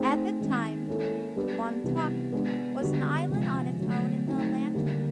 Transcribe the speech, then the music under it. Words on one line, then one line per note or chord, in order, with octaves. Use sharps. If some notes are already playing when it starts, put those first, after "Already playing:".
At that time, Montauk was an island on its own in the Atlantic.
Already playing: A3 C4 D#4 G#4 C5
D#3 G#3 C4
A#3 C#4 E4 A4
G3 B3 D4 G4 B4
C3 E3 G3 B3
G#3 B3 D4
D3 G3 B3 D4 F#4
C3 F3 G#3
D3 F#3 A3
F#3 A3 C4 D#4
D3 G3 A#3